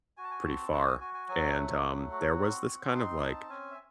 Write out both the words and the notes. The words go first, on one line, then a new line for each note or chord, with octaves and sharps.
pretty far, and, um, there was this kind of, like,
F#4 G#5
A5
G#5
C4 A5
F#4 A5
G#5
F#4 G#5
G#5
F#3 G#5
A3 F#5
F#3
F#4
C4
C4
A5
D#4 C6
C4 A5
C#4 G#5
E5